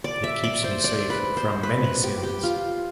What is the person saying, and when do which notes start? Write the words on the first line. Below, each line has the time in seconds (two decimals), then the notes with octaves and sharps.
It keeps me safe from many sins.
0.04 D5
0.24 E5
0.44 D5
0.64 C5
0.84 D5
1.10 B4
1.37 C5
1.63 B4
1.84 B4
2.04 G4
2.23 G4
2.43 F4